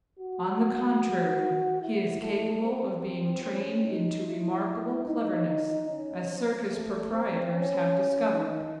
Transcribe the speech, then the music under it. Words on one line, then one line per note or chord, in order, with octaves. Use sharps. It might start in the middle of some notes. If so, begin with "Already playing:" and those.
On the contrary, he is capable of being trained into remarkable cleverness, as circus proprietors have discovered.
F#4
E4
A3
C4
C#4
D#4
E4
D#4
C#4
C4
A3
C4
C#4
D#4